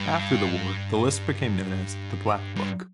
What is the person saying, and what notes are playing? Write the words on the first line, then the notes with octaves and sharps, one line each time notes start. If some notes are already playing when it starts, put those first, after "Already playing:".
After the war, the list became known as The Black Book.
Already playing: G2
G2